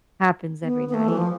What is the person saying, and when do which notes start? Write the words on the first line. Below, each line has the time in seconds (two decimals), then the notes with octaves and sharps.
happens every night,
0.63 B3
0.89 B3
0.94 A3
1.09 E3
1.17 F3